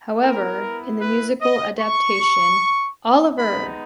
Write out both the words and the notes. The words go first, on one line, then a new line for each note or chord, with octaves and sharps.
However, in the musical adaptation, Oliver!
B3 E4 A#4
B4
D#5
C#6
G#3 B3 D#4 B5